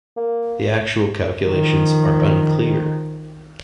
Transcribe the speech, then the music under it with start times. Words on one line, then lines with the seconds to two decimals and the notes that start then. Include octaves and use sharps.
The actual calculations are unclear.
0.17 A#3
1.43 D#3 F3